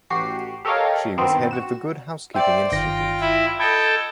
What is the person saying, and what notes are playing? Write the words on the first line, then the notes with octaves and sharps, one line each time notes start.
She was head of the Good Housekeeping Institute.
A1 F#4 G4 C7
G4 A4 A#4 C#5 D#5 F5
G2 D#3 B3 C4
F#4 E7
C5 D5 E5 G5
G1 D#3 F4 G5 A#6
E4
A4 D#5 G5 B5 G#6